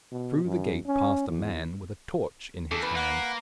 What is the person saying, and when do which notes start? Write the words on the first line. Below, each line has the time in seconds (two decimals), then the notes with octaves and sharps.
Through the gate passed a man with a torch in his hand.
0.12 B2
0.45 F#2
0.86 C#4
1.29 E2
2.71 E2 A4
2.83 B4
2.96 A#3 F#5 B5